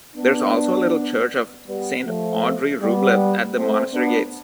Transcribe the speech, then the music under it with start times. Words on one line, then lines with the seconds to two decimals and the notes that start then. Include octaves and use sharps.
There's also a little church of Saint Andrey Rublev at the monastery gates.
0.16 B3 D4
1.67 G3 B3
2.05 F3 A3
2.80 G3 B3
3.56 A3 C4
3.94 B3 D4